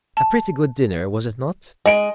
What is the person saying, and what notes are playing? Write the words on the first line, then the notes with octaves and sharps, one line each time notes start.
A pretty good dinner, was it not?
A5
G#3 D#5 D7